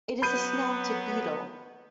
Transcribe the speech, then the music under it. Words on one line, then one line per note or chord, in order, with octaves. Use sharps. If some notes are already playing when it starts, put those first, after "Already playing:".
It is a snouted beetle.
F#3 B3 B5 G6 D#7